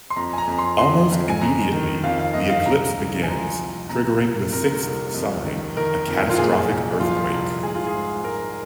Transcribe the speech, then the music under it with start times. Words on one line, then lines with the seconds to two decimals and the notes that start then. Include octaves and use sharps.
Almost immediately, the eclipse begins, triggering the sixth sign, a catastrophic earthquake.
0.10 C6
0.16 F2 A#5
0.33 G#5
0.38 A#5
0.47 F2
0.59 C6
0.78 F2 C6
1.11 F2
1.30 G#5
1.41 F2 A#5
1.73 D#3
2.03 F2 F5
2.19 F5
2.34 F2 D#5
2.50 F5
2.65 C2 A#5
2.97 C2
3.23 G#5
3.28 F3 A#5
3.58 C2
3.89 C3 A#5
4.20 C2
4.52 C3 A#4
4.82 C2
5.14 F2
5.45 D#3
5.77 D#3 A#4
6.08 F2
6.30 F4
6.38 A#2 G#4
6.69 C2
7.00 F3 F4
7.31 C2
7.63 G#2 G#4
7.75 F4
7.87 G#4
7.94 G#2
8.24 G#2 A#4